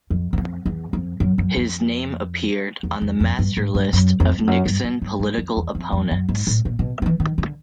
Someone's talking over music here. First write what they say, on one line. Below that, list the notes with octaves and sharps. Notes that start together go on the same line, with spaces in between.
His name appeared on the master list of Nixon political opponents.
F2
F#2
F2
E2
F2
F#2
F#2
F2
E2
F2
F2
G2
G#2
G2
F#2
F2
F2
F#2
G2
G2
G2
G2
F2
E2
F2
F2
F#2
G#2
A2
A#2
B2
F3
E3
D#3
D3